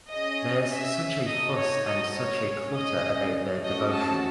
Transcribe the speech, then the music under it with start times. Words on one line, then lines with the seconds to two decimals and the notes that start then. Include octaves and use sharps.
There's such a fuss and such a clutter about their devotion.
0.11 C#4 G#4 D#5
0.70 E5
1.28 D#4 F#4 A4 D#5
1.57 C#5
1.87 D#5
2.16 C#5
2.45 C#4 G#4
2.75 D#5
3.62 A3 C#4 F#4 A4 D#5
3.91 A5